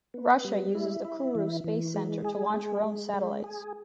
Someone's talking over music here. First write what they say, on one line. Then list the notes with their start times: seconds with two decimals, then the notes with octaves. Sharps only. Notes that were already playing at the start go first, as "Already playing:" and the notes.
Russia uses the Kourou space center to launch her own satellites.
0.14 B3
0.44 G3
0.75 E4
1.05 E4
1.35 E3
1.64 E3
1.94 G#3
2.25 G#4
2.54 G#3
2.84 G#3
3.14 G#3
3.44 G#4